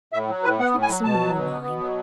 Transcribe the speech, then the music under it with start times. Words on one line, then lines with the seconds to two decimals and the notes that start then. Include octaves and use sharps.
Drink some more wine.
0.13 A2 E5
0.29 F#3
0.44 A2 B4
0.59 B3 F#5
0.74 A2
0.82 G#5
0.89 F#3
1.04 B2 A5
1.20 F#3
1.35 B2
1.50 B3
1.65 B2
1.80 F#3